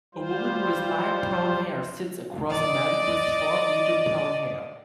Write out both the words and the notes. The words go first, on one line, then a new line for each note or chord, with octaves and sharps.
A woman with light brown hair sits across a man with short medium brown hair.
G3 F4 C5
D5 D#5